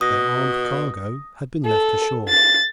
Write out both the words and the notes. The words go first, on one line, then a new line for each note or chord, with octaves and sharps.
Their armed cargo had been left ashore.
B2 D#6 A#6
A4
A6